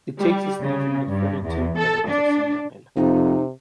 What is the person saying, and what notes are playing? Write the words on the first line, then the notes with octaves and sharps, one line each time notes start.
It takes its name from the fairy tale character Cinderella.
G3
C#3
G2
E2
A4
D4
F2 C3 D#4